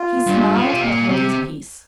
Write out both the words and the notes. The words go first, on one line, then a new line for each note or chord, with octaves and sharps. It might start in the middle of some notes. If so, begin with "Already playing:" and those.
He smiled, but held his peace.
Already playing: F4
G2
A2
C3
A#2
C3